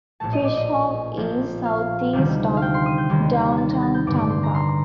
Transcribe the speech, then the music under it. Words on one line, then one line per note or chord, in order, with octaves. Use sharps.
FishHawk is southeast of downtown Tampa.
A#1 A2 A3 A5
D#5
D5
D#5
A#1 A#2 F3
F5
D2 C3 D#3 G3
F5
G5
C6
D#6
G6
D#2 D#3 G3
A6
A#6
A6
G6
A1 G2 D3 D6
D6
C6
A#5
C6